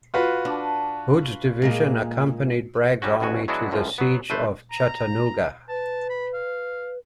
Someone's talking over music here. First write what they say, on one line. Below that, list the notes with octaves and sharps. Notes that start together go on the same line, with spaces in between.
Hood's division accompanied Bragg's army to the siege of Chattanooga.
F4 F#4 B4
D4
A#2 G#3 A#3
F#3 G3 C#4 F#4
A1 D2 B2 F#4 G#5
F#3 G#3 B3 D4 E4 F#4
C#2 F#2 A2 F3
F#3 B3
G1 A3 B4 C5
A#5
B4 A5
B5
F5